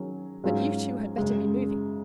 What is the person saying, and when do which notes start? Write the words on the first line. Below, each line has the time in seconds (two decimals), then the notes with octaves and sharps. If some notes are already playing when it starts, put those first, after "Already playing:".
But you two had better be moving.
Already playing: D#3 F#3 C#4 G#4
0.43 G#2 F#3 C#4 F4 G#4
1.18 F#2 C#3 G#3